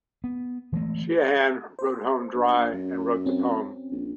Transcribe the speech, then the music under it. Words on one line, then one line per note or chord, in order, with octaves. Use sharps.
Sheahan rode home dry and wrote the poem.
B3
E3 F#3 G#3 A3
C5
A#1
F#2
C4 C#4
A#1